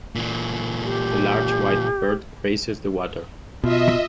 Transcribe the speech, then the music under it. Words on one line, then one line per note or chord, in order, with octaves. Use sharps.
The large white bird grazes the water.
A#2 E3
G4
B2 F4 D#5 E5